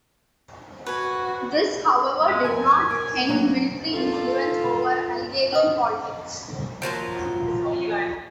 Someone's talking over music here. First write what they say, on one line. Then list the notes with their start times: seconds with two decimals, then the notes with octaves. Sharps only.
This, however, did not end military influence over Algerian politics.
0.86 F#4 B4 G#5
2.26 G#3
2.44 F2 A#4 G#5 A5
2.91 A#4
3.28 F#3 A3 A#3
3.91 F4 A4
5.52 C#4 B4 C5 D#5 D#6
6.82 F3 F#3 A#3 F4